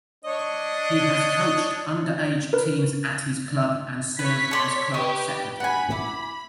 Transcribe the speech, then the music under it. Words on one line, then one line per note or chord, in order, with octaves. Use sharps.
He has coached underage teams at his club and served as club secretary.
D4 C#5 D#5
A#4 B4
B4 C#5 B6
A4 D5 C6
G4 B4 D#5 C#6
F#5 G#5 B5
E4 D6